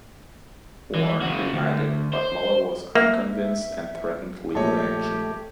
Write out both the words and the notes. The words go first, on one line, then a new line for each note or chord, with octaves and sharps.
Warne denied it but Muller was unconvinced and threatened legal action.
E3
C#3 F#4
D2
C5
A#3 E5
A#1 A3 G4 C#5 D#5 A5